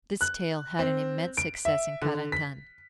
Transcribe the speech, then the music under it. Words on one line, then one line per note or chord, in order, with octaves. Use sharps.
This tale had an immense success in Carentan.
F#6
C4
D7
E5
D3
B6